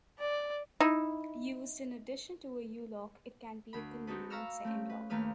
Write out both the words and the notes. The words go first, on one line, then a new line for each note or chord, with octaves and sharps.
Used in addition to a U-lock it can be a convenient second lock.
D5
D#4 E4
D2 B5
C4 D#4 F#4 A4 B4
F5 A#5 B5 C#6 E6 F6
A3 C4 C#4
B4
D#2 A3 A#3 B4 F6